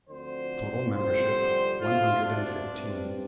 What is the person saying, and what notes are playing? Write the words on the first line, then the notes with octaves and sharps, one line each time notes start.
Total membership, one hundred and fifteen.
D2 D3 F3 C4 C5
F2 D3 G3 C4 C5
D2 C3 A3 F4
D4
G2 G3 C4